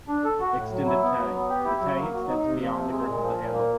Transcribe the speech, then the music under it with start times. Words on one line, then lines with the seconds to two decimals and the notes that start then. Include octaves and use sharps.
Extended Tang: the tang extends beyond the grip of the handle.
0.08 D4
0.24 A4
0.40 F#4
0.56 A2
0.72 F#3
0.86 E4
1.03 B3
1.18 F#3
1.34 B3
1.49 G4
1.65 E4
1.81 F#3
1.97 A#3
2.13 F#3
2.28 D#4
2.45 C3
2.60 F3
2.76 C3
2.92 G#3
3.06 A#2
3.23 F3
3.38 A#2
3.53 A#3